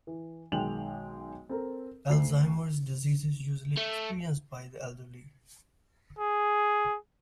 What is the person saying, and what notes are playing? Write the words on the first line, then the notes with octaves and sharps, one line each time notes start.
Alzheimer’s disease is usually experienced by the elderly.
E3
B1 D#3 G#3 G5 F7 F#7
C4 A4 A#4
D2 C7
A3
G#4